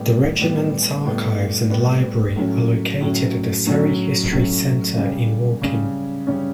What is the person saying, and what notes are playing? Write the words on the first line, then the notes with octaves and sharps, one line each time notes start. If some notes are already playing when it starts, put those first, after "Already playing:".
The regiment's archives and library are located at the Surrey History Centre in Woking.
Already playing: A2 G3 B3
A2 G3 B3
A2 G3 B3
A2 G3 B3
A2 F#3 C#4
A2 F#3 C#4
A2 F#3 C#4
A2 F#3 C#4
C#3 G3 C#4
C#3 G3 C#4
C#3 G3 C#4